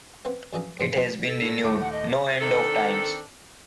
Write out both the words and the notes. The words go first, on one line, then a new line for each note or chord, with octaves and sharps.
It has been renewed no end of times.
A#3 C4 B4 F#5
F#2 E3 D4 G#4 F5 A#5
G#2 D3 E3 C6
F#3 G3 A#3 B3 D#4 F4
A4
A2
D#1 A3 D6
F#5
D#5
D#3 C4 D4 A4